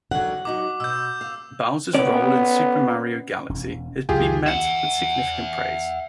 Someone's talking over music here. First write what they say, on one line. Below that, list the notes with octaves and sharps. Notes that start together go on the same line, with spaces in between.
Bowser's role in "Super Mario Galaxy" has been met with significant praise.
D3 D#3 F#3 F#5
F#3 D#4 F#4 D6
B2 E6 G6
F5
B3 C#4 D5
E1 C#4
C#2 F#2 F4 G4 G#4
E5 F#5